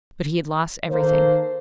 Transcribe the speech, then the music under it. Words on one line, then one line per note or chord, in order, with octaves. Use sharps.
But he had lost everything.
D#3 A#3 A4 C5